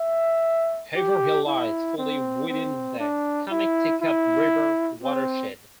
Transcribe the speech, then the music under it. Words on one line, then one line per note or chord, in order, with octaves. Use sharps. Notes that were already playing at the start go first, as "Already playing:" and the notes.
Haverhill lies fully within the Connecticut River watershed.
Already playing: E5
G4
E4
C4
C4
D4
E4
E4
C4